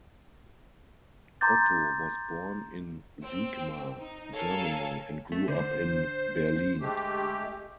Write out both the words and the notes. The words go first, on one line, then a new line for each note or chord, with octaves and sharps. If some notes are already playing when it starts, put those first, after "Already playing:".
Otto was born in Siegmar, Germany, and grew up in Berlin.
A#5 C6 D6 G6 A6
C4 E6
D#4
A4 A#4 C#5 F5 G#5
A3
D3 C5
G#3 A3 G4